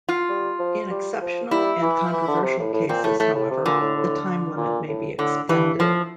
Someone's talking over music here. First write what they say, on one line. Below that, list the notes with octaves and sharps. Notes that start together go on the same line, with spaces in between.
In exceptional and controversial cases, however, the time limit may be extended.
F4
G3
F3
G3
F3
G3 E4
E3
E3
D3
C3
A2
A2
A#2 C4
A2 A3
A2 A3
A2
C3
A#2 D3
A2
A2
A#2
A2
A2 D3
G2 E3
A2 F3